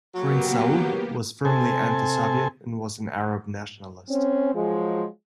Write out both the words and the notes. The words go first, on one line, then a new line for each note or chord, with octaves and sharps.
Prince Saud was firmly anti-Soviet and was an Arab nationalist.
F#3 A#3 B3 G4
C3 A4 G#5
C4 C#4
F3 F#3 G#3